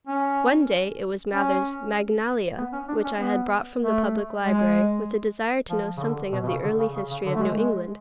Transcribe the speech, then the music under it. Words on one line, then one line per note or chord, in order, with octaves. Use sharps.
One day it was Mather's "Magnalia," which I had brought from the public library, with a desire to know something of the early history of New England.
C#4
C#4
B3
C#4
D4
C#4
B3
A3
G#3
F3
C#3
D3
B2
B2
C#3
D3
C#3
C#3
C#3
D3
A3
G#3
G#3